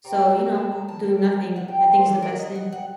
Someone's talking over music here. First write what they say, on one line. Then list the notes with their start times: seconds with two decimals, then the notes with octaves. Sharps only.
So, you know, doing nothing I think is the best thing.
0.04 C3 G3 C4 A#5
0.21 A5
0.38 A#5
0.55 A5
0.72 A#5
0.88 A5
1.05 D#3 F#3 A#3 G5
1.22 A#5
1.56 F#5
1.68 G5
1.81 A#5
1.93 C5
2.05 D3 F#3 A#3 A4
2.22 A#4
2.39 D#5
2.55 F#5
2.73 F#5